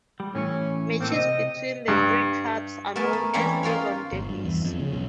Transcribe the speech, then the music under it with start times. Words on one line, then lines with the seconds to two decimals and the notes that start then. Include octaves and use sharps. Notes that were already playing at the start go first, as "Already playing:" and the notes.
Matches between the three clubs are known as Devon derbies.
0.20 G3
0.35 A2 E3 C#4 C#5
1.00 A#3 C4 A4
1.13 C3 D#5
1.88 G2
2.96 A3 B3 A#4 B4 G#5 A5
3.13 A3
3.34 E2 G3 C4 C#4 E4
3.63 D#4 F4 A#4 C#5
4.12 G1
4.29 G2
4.45 E2
4.65 F2
4.79 C#3
4.93 B1